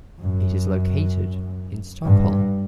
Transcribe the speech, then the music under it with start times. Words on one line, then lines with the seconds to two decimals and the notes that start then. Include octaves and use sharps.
It is located in Stockholm.
0.21 F#2
2.04 G2